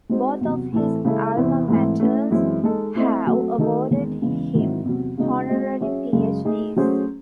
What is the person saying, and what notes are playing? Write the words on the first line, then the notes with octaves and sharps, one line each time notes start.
Both of his alma maters have awarded him honorary PhDs.
G#3 C4 D#4 F#4 C5
E2 C3 F#3
A2 E3 C4 E4 A4
C#3 G#3 C#4 E4 A4
E2 C3 E3 C4 E4
G#2 E3 A3 C4 E4
A3 C#4 E4
F#2 E3 G#3 C4 E4
G#3 D#4 A4
A3 C4 E4 A4 D#5
F#3 A3 C4 F#4 A4
D#3 A3 D#4 F#4 A4
E2 D#3 G#3
E2 C#3 E3 G#3
G#2 D#3 F#3 C4 E4
E2 C3 F#3
E2 C#3 G#3 D#4 F#4
G#3 C4 F#4 C5 D#5
F#3 C#4 G#4 C#5 E5
F#2 C#3 G#3
A3 D#4 G#4
F#3 A3 C#4 G#4 C5